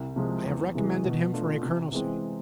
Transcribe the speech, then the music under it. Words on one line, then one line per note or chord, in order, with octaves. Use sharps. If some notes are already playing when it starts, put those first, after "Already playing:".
I have recommended him for a colonelcy.
Already playing: C2
C3 F3 G#3
E2
C3 E3 G#3
B2
A3 D4 F4
C3
E3 G#3 C4